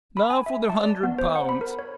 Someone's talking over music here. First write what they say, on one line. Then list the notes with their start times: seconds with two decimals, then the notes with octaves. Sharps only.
Now for the hundred pounds.
0.17 B5
0.30 G#5
0.46 E5
0.69 A5
0.83 D5
1.03 B3
1.19 C5
1.35 F#5
1.49 B5
1.61 A#4
1.79 C#5